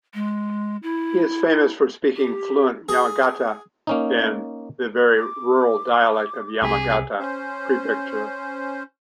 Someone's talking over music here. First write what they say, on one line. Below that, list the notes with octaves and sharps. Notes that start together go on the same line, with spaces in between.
He is famous for speaking fluent Yamagata-ben, the very rural dialect of Yamagata Prefecture.
G#3
E4
G4
G#4
A#3 C#4 D#4
D6
C2 C3 G#4 B6
C#4 C5